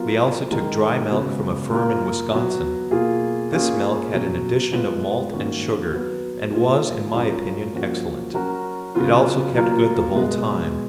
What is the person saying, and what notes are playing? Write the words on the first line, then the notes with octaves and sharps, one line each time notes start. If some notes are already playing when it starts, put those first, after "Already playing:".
We also took dried milk from a firm in Wisconsin; this milk had an addition of malt and sugar, and was, in my opinion, excellent; it also kept good the whole time.
Already playing: F#3 B3 F4 A#4
D#3 G#3 D#4 A#4
C#3 G#3 B3 F#4
A#3 F4 A#4
F#3 B3 F#4
B2 A#3 F4 G#4
A#3 C#4 F4 G#4
B2 F#3 C#4
G#3 B3 F4 B4
D#3 A#3 C#4 F#4
F#3 B3 F#4 B4
A#3 F4 G#4
F#3 C#4 F4 A#4
F3 A#3 C#4 F#4
F#3 C#4 F#4 A#4
C#3 F#3 B3 F4
F#3 A#3 F4 A#4
B2 G#3 B3